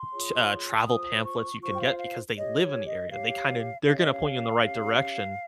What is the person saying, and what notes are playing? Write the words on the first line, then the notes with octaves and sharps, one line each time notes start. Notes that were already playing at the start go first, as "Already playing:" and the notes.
t uh, travel pamphlets you can get because they live in the area, they kinda they're gonna point you in the right direction.
Already playing: C6
F4 G#4 C#5
F4 C5 D#6
C#6
F4 C5 C#6
G5
F5
F5
G4 C#5 D#5
C#5
D#5
G4 C#5 F5
C#4 G4 C#5 F5
D#5
F5
C#4 G4 C#5